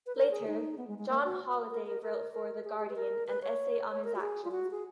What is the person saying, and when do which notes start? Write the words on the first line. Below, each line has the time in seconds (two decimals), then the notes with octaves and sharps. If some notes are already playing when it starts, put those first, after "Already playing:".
Later, John Holliday wrote for the "Guardian" an essay on his actions.
0.06 B4
0.16 A#4
0.31 G#4
0.47 D#4
0.78 B3
0.88 G#3
0.98 G#3
1.09 A#3
1.24 F#4
1.71 A#4
1.86 A#4
2.02 A#4
2.33 A#4
2.64 G#4
2.80 G#4
2.90 B4
2.96 A#4
3.27 B4
3.42 C#5
3.90 C#5
4.04 A#4
4.15 F#4
4.21 G#4
4.45 F4
4.51 F#4
4.71 G#4